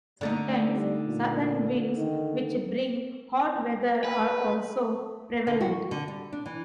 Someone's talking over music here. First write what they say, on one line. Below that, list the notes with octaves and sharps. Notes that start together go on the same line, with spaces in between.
Sometimes southern winds which bring hot weather are also prevalent.
D3 A3 D#4
G3
A#2
D#3
B4
D3
F#4
D3
G3
D4
E3